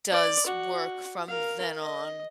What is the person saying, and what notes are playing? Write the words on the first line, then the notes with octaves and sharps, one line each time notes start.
does work from then on
D5
F#4
A#4 F5
D#5